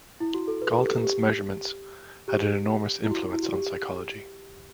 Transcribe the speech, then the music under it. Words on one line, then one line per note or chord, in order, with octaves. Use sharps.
Galton's measurements had an enormous influence on psychology.
E4
F#4
A4
B4
A4
G4
A4
G4
G4
E4
F#4
E4
F#4
G4